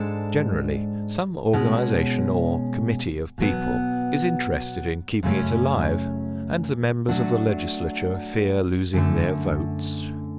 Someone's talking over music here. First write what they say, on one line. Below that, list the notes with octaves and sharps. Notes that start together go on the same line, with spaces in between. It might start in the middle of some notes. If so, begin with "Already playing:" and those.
Generally some organization or committee of people is interested in keeping it alive, and the members of the Legislature fear losing their votes.
Already playing: G#2 G#3 D4 A4
B2 G#3 C#4 G#4
B2 F#3 B3
F#2 C#3 F#3 A3 C#4
F#3 A3 D4 F#4
F#2 D3 A3